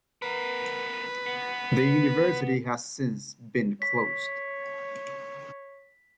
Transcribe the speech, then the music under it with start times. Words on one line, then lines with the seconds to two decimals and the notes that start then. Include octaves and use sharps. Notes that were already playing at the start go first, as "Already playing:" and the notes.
The University has since been closed.
0.22 B3 A#4 B4
1.26 B3
3.82 C#5 B6